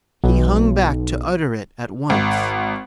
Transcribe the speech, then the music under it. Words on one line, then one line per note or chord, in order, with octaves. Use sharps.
He hung back to utter it at once.
B1
G#1